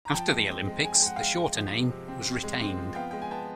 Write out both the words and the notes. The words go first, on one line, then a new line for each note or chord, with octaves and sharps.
After the Olympics the shorter name was retained.
A#5
F3 G5 A5
G#3
C4
G#3
G#3 G#5
G5
G#3 F#5
G#3 F5 G5
G#3
F3
C3
C3
C4
C4
G#3
C4
F3
B3 F5 G5
G#3 G5
G#5
B3 G5 A5